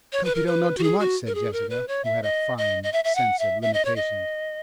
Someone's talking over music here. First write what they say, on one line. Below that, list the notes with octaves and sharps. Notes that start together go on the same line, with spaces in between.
"Let's hope he don't know too much," said Jessica, who had a fine sense of limitations.
C#5
B4
A#4
B4
F#4
G#4
F#4
A#4
G#4
A#4
B4
C#5
E5
D#5
D#5
D#5
E5
E5
F#5
E5
E5
D#5
C#5
D#5